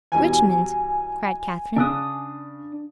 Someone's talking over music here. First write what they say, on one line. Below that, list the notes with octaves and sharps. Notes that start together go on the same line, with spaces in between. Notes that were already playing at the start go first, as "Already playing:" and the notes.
"Richmond!" cried Catherine.
E2 B2 G3 G#5
C#3 D4 D#6 E6 F#6